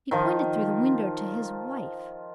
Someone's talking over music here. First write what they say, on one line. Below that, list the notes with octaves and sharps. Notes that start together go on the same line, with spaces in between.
He pointed through the window to his wife.
D#3 F3 F4